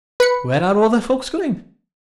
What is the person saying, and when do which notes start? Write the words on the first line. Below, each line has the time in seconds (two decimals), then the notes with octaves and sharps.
"Where are all the folks going?"
0.20 B4 B5 C#7